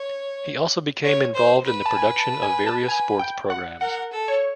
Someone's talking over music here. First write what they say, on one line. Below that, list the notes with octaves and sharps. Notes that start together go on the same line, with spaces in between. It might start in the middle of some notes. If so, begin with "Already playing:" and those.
He also became involved in the production of various sports programmes.
Already playing: C#5
C#5
C5
B4
A5
G#5
A5
G#5
A5
G#5
G5
F#5
A#4 F#5
A4
C#5